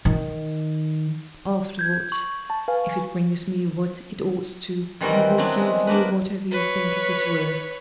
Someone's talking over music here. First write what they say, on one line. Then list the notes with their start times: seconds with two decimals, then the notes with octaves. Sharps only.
Afterward--if it brings me what it ought to, I will give you whatever you think it is worth.
0.05 D#3
1.79 G6 G#6
2.12 C#6
2.50 A5
2.68 B4 F5 G#5
5.01 D#3 E3 G3 C4 F#4 A#4
5.38 F#3 B3 C4 D4 E4 F#4
5.57 G#3
5.87 A#3 D4 F#4 B4
6.51 B4 C#5